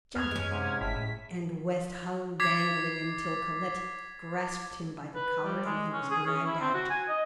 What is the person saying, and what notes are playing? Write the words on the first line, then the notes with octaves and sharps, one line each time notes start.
"Jump!" and West hung dangling until Colette grasped him by the collar, and he was dragged out.
E2 B3 C5 F6 G#6
F#2 G#3 C#4
G#2 C3 G4
G1 A2 E4 B6
A2 E5
D6 G#6 A6 B6 C7
B4
G3
G#3
C#4
G#4
C#4
E4
C4
F#4
G#5
D#5